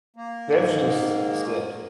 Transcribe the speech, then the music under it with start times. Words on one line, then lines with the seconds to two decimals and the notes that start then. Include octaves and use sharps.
That's just Steph.
0.16 A#3
0.51 G#2 D#3 A#3